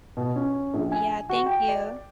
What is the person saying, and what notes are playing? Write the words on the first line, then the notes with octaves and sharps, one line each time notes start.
Yeah, thank you.
B2
C#4
A#1
G#5
F#4
G5
D5